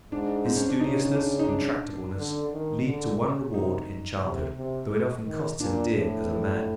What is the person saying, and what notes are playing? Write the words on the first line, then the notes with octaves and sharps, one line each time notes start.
His studiousness and tractableness lead to one reward in childhood, though it often costs him dear as a man.
G#2 D4
C4
C#4
D4
C#3 D#4
D4
D#4
D4
D3
D#3
D3
C#3
C3 D#4
C3
C3
D#3
A#2 D4
A2